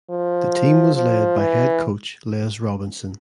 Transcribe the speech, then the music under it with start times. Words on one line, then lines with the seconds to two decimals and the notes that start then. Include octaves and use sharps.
The team was led by head coach Les Robinson.
0.10 F3
0.95 F3
1.38 E3